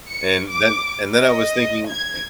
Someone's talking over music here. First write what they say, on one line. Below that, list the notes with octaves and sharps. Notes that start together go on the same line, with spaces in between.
And then and then I was thinking and
C#7
D6
D#5
G#6